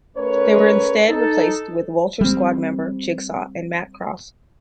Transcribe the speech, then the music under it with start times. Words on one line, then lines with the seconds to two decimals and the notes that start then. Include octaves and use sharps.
They were instead replaced with Vulture Squad member Jigsaw and Matt Cross.
0.16 A3 C#4 A#4 B4 C#5
1.08 D#4 A4
2.21 G3 C4